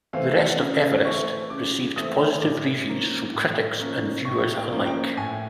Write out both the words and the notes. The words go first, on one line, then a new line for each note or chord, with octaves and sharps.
'The Rest of Everest' received positive reviews from critics and viewers alike.
E3 A3 C4 F5
F#5
C#3
E3 A3 C4 C#6
C#3 D6
E3 A3 C4 D#6
A2 D6
F3 A#3 C#4
A2
F3 A#3 C#4
A2 C#6
G5
F3 A#3 C#4
G5
A2 G#5